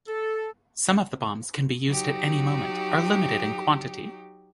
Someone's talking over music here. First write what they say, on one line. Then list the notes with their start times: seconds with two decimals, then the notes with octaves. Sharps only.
Some of the bombs can be used at any moment, are limited in quantity.
0.08 A4
1.85 F#3 D#4 F#4 G4